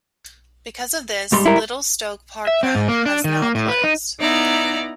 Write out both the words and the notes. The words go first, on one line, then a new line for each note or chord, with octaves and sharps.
Because of this, Little Stoke Parkrun has now closed.
G#2 G3 C6
E4 A#4
E5
C4
G#2
A#3
D4
D#3
A#3
A2
B4
D#4
B3 D#4 E4 D5 A#5